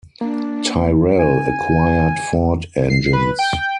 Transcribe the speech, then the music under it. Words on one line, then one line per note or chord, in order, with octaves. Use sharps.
Tyrrell acquired Ford engines.
A#3 D4
G#5
C7
B4
G5